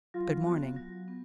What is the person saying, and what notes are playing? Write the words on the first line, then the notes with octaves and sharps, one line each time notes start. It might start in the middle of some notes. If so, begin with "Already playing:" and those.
"Good morning."
F#3 F4
B3 F#4
F#3
B3